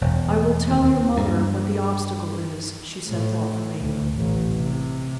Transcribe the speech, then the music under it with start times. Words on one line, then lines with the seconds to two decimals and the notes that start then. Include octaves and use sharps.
"I will tell your mother what the obstacle is," she said, thoughtfully.
0.01 E1
0.70 D#2
1.17 G2
3.06 A2
3.79 D2
4.14 A1
4.55 C3